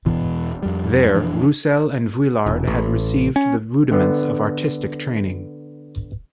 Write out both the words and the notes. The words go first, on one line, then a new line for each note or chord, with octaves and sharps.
There, Roussel and Vuillard received the rudiments of artistic training.
E2 B2 E3
F2 G3
F2 E3 B3 D4
E1
A1
C#4
D3 B3